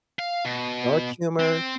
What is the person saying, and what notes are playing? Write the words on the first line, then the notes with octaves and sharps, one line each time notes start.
dark humor,
F5
B2
C4